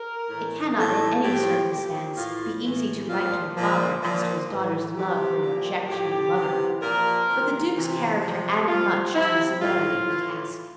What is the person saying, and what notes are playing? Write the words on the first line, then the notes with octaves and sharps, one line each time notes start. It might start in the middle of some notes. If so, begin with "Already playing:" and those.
It cannot in any circumstance be easy to write to a father as to his daughter's love for an objectionable lover; but the Duke's character added much to the severity of the task.
Already playing: A#4
A2 E3
A2 E3 A4
A2 F3 G4
A#2 F3 G4
A2 E3 F4
A2 E3
A#2 F3 F4
A#2 F3
A#2 F3
A2 E3
C3 E3 G4
A#2 F3
A2 F3 G4
C3 E3
A#2 F3 A#4
C3 E3
C3 E3
C3 F3
C3 F3 F4
C3 F3 E4
A2 F3 F4
A2 E3